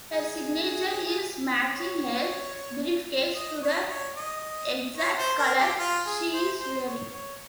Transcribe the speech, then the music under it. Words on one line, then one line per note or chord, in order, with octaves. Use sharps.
Her signature is matching her briefcase to the exact color she is wearing.
G#4
C#5
D#5
C#5
C#5
D#5
C#5
C5
A#4
G4
F4
G#4
C5
C5
C#5
C#5